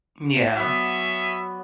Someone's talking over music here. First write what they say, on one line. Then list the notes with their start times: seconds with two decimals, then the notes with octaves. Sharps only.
Mm, yeah.
0.55 F#3 B3 C#4 F#4 D5 E5